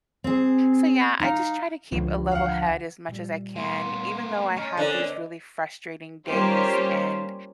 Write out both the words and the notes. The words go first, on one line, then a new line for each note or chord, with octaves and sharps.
So, yeah, I just try to keep a level head as much as I can, even though I have these really frustrating days and
C4 G#4
D#4 F5
C#2 D3 E3 F3
F5 F#5
A#2 G3
A#3 B3 C6
C#4 D#5 A#5 C#6 F6
D3 A#4 C5 D#5
G3 A#3 C#4 F4 G4 C5